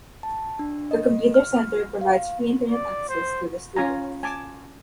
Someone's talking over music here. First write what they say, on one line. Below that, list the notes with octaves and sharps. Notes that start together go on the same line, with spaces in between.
The Computer Center provides free internet access to the students.
A5
D4
D#5
F6
F5
D5
C5
C#4 F4 G#5 A#5
G#5 A5 D6